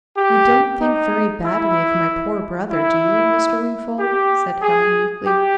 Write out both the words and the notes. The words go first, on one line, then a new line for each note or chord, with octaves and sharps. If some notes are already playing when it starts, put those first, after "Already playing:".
"You don't think very badly of my poor brother, do you, Mr. Wingfold?" said Helen, meekly.
G4
D#4
E4
E4
G4
G#4
G4